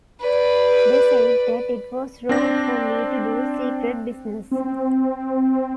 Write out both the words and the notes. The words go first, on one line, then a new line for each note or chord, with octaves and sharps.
They said that it was wrong for me to do secret business.
B4 D5
C4 D4 A#6
C4